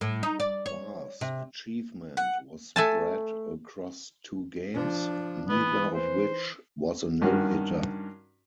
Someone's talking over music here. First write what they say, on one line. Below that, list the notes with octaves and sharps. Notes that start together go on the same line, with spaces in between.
Barr's achievement was spread across two games, neither of which was a no-hitter.
A2
D#4
D5
C#5
C3
F#5
A3 G#5 A5
F3 D4
E3 B3
C5
G2 D#3 C#4 F#4